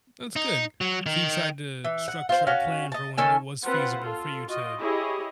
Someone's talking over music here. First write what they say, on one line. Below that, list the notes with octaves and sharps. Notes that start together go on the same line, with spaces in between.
That's good. So you tried to structure a plan for when it was feasible for you to,
D#4
F#3
D#3
E3
F#5
F4 C5
C#4 F#4 F5
D#5 A5
D#3 C#4 A4 G#5
C4 F4 B4 C5 F#5
F4 A4
F4 F#4 D#5
E4 G4 G#4 C#5 D#5